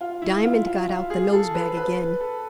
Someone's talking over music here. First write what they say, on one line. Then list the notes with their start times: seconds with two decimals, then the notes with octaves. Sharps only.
Diamond got out the nose-bag again.
0.01 F4
0.22 E4
0.44 F4
0.66 F4
0.89 F4
1.10 G#4
1.33 A4
1.54 B4
1.77 B4
2.20 A4